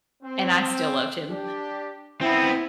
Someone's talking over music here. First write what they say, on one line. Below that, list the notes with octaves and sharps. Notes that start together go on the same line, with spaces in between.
and I still loved him,
C4
D4 G4
B3 C4 E4